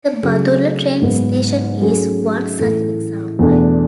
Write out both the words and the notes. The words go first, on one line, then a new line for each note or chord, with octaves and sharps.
The Badulla train station is one such example.
C#3 F#3 A3
G#2 F#3 B3
F#3 A3 C#4 G#4
A2 E3 A3
E2 B2 A3 D4